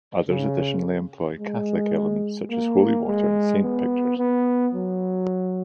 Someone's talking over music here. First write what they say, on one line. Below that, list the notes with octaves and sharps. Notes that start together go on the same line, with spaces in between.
Others additionally employ Catholic elements, such as holy water and saint pictures.
C#3
G#3
A#3
G#3
B3
B3
F#3